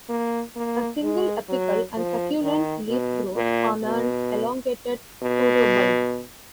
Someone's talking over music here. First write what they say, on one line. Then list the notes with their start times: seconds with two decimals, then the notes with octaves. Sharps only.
A single, apical and succulent leaf grows on an elongated pseudobulb.
0.09 A#3
0.56 A#3
1.03 G#3
1.49 F#3
1.96 F3
2.43 D#3
2.89 B2
3.36 A#2
3.83 B2
5.23 B2